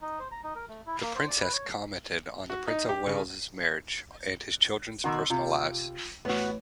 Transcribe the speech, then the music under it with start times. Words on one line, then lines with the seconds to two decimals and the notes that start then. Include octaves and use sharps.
The Princess commented on the Prince of Wales' marriages and his children's personal lives.
0.01 D#4
0.19 C5
0.32 A#5
0.44 D#4
0.55 A#4
0.69 A3
0.86 E4
1.02 A#3
1.15 C5
1.28 D5
1.41 B4
1.53 C#5
2.50 F#4
2.67 D#4
2.89 G4
3.07 C#3
5.04 B2 D#3 F#4 C6 D6 E6
5.30 C3 F4
6.25 A1 B3 F#4 B4 C#5